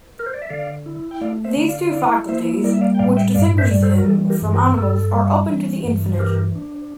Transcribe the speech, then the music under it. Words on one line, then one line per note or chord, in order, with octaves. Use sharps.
These two faculties, which distinguishes him from animals, are open to the infinite.
A#4
C5
D5
E5
D3 D5 F5
E4
G5
A3 D5 F5
C5 E5
D3
D5 F5
E4 D5 F5
A#3 C5 E5
G3 A#4 D5
E5
D5 F5
G5
A2 D5 F5
E5 G5
G2 D5 F5
C5 E5
G3
A4 C5
A#4
E3 A4
G4 A#4
G2
G4 A#4
G2 A4
G3
E3
G2
C5
E3 G4 A#4
D4